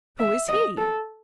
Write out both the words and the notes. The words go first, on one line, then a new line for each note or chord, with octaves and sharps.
"Who is he?"
E5
D#5
A4